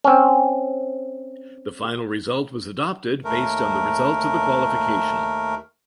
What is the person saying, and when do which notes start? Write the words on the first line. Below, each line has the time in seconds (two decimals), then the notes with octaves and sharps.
The final result was adopted based on the results of the qualification.
0.04 C4 C#4
3.24 D#2 A3 A#4